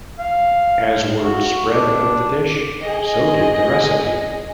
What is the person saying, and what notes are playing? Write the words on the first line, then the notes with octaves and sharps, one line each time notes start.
As word spread about the dish, so did the recipe.
F5
F#4
D4
G#4 D#5